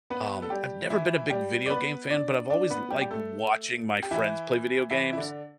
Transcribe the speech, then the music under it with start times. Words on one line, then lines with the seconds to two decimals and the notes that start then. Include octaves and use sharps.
Um, I've never been a big video game fan, but I've always liked watching my friends play video games.
0.10 B3 B4
0.42 A4
0.50 G3 G4
0.90 E3 E4
1.30 G3 G4
1.66 D5
1.70 B3 B4
2.10 D4 D5
2.50 D4 D5
2.70 B3 B4
2.90 G3 G4
3.02 G4
3.10 A3 A4
4.03 G4
4.11 E3 E4
4.91 E3 E4
5.13 E4
5.17 D3 D4